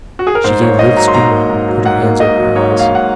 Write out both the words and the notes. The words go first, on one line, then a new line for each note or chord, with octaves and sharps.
She gave a little scream, and put her hands over her eyes.
F#4
G#4
A#4
G#2 C5
A#3 C#5
G#2 D#5
F#3 A#5
C6
G#2 A#5
A#3
G#2
F#3
G#2 F#5
A#3
G#2 D#5
F#3
G#2 C#5
A#3
F5
G#2 F#5